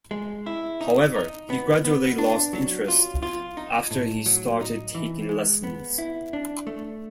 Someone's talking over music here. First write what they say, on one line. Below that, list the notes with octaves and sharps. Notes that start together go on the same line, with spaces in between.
However, he gradually lost interest after he started taking lessons.
G#3
E4
D#4
D#4
B3
B3
D4
F#3
F4
F4
D#4
A2
F#3
D#4
E3
G#3
B3
E4
D4
A3